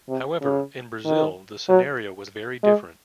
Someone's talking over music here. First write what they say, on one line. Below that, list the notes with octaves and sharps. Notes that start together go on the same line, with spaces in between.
However in Brazil the scenario was very different.
C3
C#3
D#3
F#3
G#3